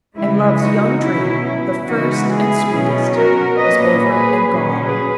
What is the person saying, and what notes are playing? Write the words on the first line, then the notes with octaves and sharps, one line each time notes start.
And love's young dream, the first, and sweetest, was over and gone.
C#3 E3 G#3 E4
D#4 F#4
B2 F#3 C#4 E4
E4
C#3 E3 G#3 B3 D#4 F#4
E4 G#4
B2 F#3 C#4
F#4 A#4
A#2 F#3 A#3 C#4 B4 D#5
G#4 B4
A#2 F#3 C#4
G#4 B4